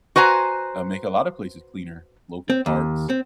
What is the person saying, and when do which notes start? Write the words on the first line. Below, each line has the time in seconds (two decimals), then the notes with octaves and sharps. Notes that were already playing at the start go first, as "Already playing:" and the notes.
uh, make a lot of places cleaner, local parks,
0.16 F#4 B4 C5 G#5 A#5
2.50 C4
2.66 D#2
3.10 C4